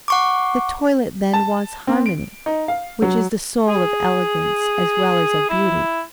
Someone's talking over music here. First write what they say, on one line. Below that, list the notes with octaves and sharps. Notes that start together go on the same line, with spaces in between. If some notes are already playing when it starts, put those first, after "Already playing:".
The toilet then wants harmony, which is the soul of elegance as well as of beauty.
F#5 C#6 D6
A5
C4
D7
D#4
F5
F#3
G#4
E4